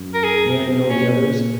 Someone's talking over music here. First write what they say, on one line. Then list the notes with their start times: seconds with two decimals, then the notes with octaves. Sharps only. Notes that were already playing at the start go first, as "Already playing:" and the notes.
May I know the others?
Already playing: F#2
0.14 A#4
0.24 G#4
0.88 A#2 C#4